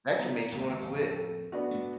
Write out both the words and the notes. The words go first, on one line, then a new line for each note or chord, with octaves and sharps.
that can make you wanna quit.
B3 A#5
G#1 D#2 G#3 A#3
F2 A2
A4
B3 D4 F#4
G#2 A3